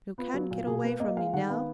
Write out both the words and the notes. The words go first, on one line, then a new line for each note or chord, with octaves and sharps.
You can't get away from me now.
B3 F4
F#3
A#2
B2 G#4
A#3 B4
A#3 D#5
G#3 F5
D#3 F#5
B3 F5